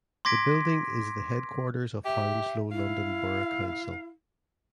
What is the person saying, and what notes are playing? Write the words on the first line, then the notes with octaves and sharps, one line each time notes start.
The building is the headquarters of Hounslow London Borough Council.
C6 D6 G#6 A#6 B6 D7
G4 E5
E4 F5